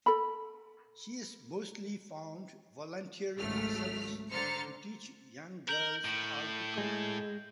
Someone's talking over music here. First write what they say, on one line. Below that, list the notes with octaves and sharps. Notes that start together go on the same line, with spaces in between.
She is mostly found volunteering her service to teach young girls how to code.
A4 B5
G#1 C#2 F#3 A3 F6
D3 C5 A#5 F6 A6 C#7
A#4 G6 F#7
A2
G#3